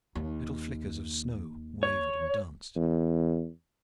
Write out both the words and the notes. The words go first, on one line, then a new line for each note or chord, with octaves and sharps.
Little flickers of snow wavered and danced.
D#2
C#5
E2